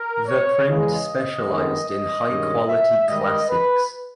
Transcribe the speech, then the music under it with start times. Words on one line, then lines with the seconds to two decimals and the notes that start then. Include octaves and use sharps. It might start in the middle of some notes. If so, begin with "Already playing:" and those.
The print specialized in high quality classics.
Already playing: A#4
0.27 C#5
0.68 E2 C#3 G#3 D#5
1.48 G2 D#3 G#3 B3
1.89 D#5
2.28 G2 D#3 G#3 C#4
2.68 E5
3.08 G#2 D#3 G3 D#5
3.49 B4